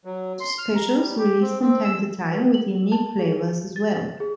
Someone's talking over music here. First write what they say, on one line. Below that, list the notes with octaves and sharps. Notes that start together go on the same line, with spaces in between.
There are also specials released from time to time, with unique flavors as well.
F#3
C6
F6
A#5
G3
G4
C4
C4
E6
B4
F#7
A5
G#4
A6
G#4